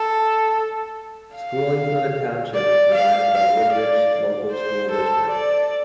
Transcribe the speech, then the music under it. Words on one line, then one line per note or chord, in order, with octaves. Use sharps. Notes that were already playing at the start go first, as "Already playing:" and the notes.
Schooling for the township is provided by Woodridge Local School District.
Already playing: A4
F5
D5
F5
F5
D5
C5
A4
D5